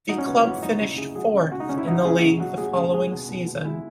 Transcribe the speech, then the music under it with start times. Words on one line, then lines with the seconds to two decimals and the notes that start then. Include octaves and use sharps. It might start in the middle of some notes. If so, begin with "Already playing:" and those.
The club finished fourth in the league the following season.
0.09 F#3 D#4
0.18 C#4
0.27 C#3 B3
0.35 C#4
0.44 F#3 E4
0.62 F#3 D#4
0.80 C#3 E4
0.98 C#3 G#4
1.15 F#3 G#4
1.33 C#3
1.52 C#3 F#4
1.60 D#4
1.69 C#3 C#4
1.77 E4
1.87 F#3 D#4
2.05 C#3 G#4
2.23 C#3
2.40 F#3
2.58 F#3 G#4
2.76 C#3 G#4
2.93 G#3 G#4
3.11 B2
3.29 B2
3.46 B2
3.64 G#3 E4